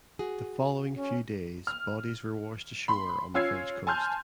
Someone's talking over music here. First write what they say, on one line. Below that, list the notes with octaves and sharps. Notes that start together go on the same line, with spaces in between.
The following few days bodies were washed ashore on the French coast.
F#4 G#4
C#4
F6
B5 C6
C#4 F4 E6 G#6 C7
G#5 A5 C6 F6 G6